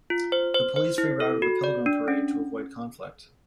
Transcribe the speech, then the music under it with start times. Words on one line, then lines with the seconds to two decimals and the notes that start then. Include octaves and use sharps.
The police rerouted the Pilgrim parade to avoid conflict.
0.10 F4
0.32 C5
0.55 C5
0.76 C5
0.98 E4
1.20 A4
1.42 F#4
1.64 D5
1.86 D4
2.08 C#4